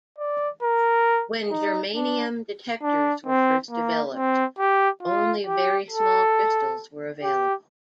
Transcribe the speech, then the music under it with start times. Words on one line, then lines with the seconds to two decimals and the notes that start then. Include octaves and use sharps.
When germanium detectors were first developed, only very small crystals were available.
0.18 D5
0.63 A#4
1.51 D#4
1.95 D4
2.83 D4
3.26 C4
3.71 A#3
4.14 C4
4.59 G4
5.03 F4
5.47 G4
5.91 A4
7.23 G4